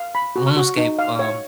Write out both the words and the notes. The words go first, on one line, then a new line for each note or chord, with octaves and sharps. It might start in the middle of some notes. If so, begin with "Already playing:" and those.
RuneScape, um
Already playing: F5
B5
F#4
F#4
D#4
F5
C#5